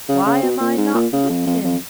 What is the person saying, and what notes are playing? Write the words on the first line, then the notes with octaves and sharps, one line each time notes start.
Why am I not with him?
C#3
C#3
B2
A#2
G#2
A#2
C#3
F2
F2
F2